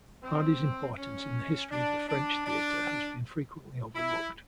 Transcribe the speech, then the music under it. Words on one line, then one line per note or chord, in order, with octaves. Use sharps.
Hardy's importance in the history of the French theatre has been frequently overlooked.
C4
C#4
D4
D4
D4
E4